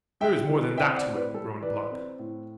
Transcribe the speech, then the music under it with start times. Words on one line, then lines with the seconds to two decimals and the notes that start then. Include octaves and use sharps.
"There is more than that to it," groaned Blood.
0.21 G3 E5 G5
0.49 E3
0.77 C4 E5 G5
0.97 D5 F#5
1.06 A2
1.15 B4 D5
1.34 G3 A4
1.62 E3 B4 D5
1.91 C4
2.19 A2